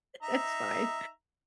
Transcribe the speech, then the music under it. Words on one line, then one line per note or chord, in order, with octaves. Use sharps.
that's fine,
D#4 E5 A#5